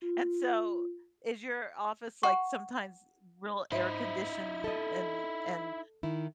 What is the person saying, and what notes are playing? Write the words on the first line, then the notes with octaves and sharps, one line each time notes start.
and so, is your office, like, sometimes e real air conditioned and and
F4
F#5 C#6
G#2 D#4 E4 C5 E5
A4 D#5
D#3 E4